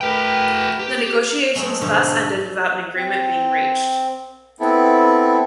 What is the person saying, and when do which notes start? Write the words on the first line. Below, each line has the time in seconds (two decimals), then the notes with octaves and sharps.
The negotiations thus ended without an agreement being reached.
0.01 A3 F#4 A#4 B4 G5
0.79 G4
1.55 F#3 G#3 A3 C4 F#4
1.81 G#2 B2 D3 F3 A3
2.97 C4
4.60 B3 C4 E4 A4